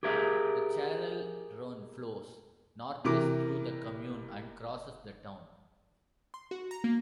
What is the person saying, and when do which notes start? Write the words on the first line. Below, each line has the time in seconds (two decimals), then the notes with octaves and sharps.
The Chalaronne flows northwest through the commune and crosses the town.
0.03 G4 G#4 A#4 E5
3.04 C3 E3 A#4 D6
6.34 C6
6.51 F#4
6.71 A#5
6.84 A#3